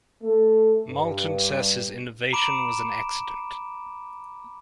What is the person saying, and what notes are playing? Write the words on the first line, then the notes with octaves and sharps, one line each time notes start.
Moulton says his innovation was an accident.
A3
G2
A#5 B5 D6 D7 E7